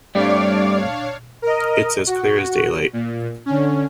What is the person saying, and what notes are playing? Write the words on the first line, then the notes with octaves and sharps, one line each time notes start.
It’s as clear as daylight.
G2 G3 A3 C4 D4 C#5 D5 F5
A#4 D#5
F#4
A#2
D3 C#4